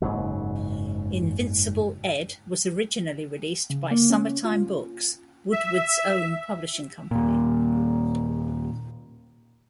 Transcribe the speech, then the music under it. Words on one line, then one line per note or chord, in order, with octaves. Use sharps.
"Invincible Ed" was originally released by Summertime Books, Woodward's own publishing company.
F#1 G#2 C#3 F#3
C#3
A#3
C#4
F4
E5
D#2 A#2